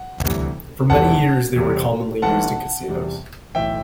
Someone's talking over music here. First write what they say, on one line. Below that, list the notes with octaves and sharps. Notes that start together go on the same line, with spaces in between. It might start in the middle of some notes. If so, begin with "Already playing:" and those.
For many years, they were commonly used in casinos.
Already playing: F#5
D2 C3 E3 G3
E1 E2 C3 E3 G3 F#5 A5
E2 C3 G3
G1 G2 E3 A3 F#5 A5
E2 C3 G3
B1 A2 E3 E5 G5